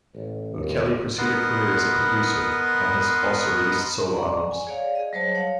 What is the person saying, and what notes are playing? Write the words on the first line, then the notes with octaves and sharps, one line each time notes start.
O'Kelly pursued a career as a producer and has also released solo albums.
A1
D#2
B3 A#4 B4 D#5 F#5 C6
D5 F#5 A#5 C#6
G#5
G#4 C#5 D5 F5
G#4 D#5
F#3 G3 C5 C#5 A5
C#5 F5 F#5